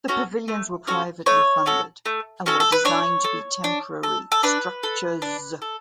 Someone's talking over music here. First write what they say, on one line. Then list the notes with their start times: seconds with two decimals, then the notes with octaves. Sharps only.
The pavilions were privately funded and were designed to be temporary structures.
0.08 C#4 F#4 A4
0.48 A3
0.87 C#4 F#4 A4
1.26 A3 C#5
1.66 C#4 F#4 A4
2.06 A3
2.46 C#4 F#4 A4
2.60 A4
2.72 B4
2.85 D4 C#5
3.24 A4
3.64 D4
4.03 A4
4.32 A4
4.43 D4 B4
4.83 A4
5.22 D4
5.62 A4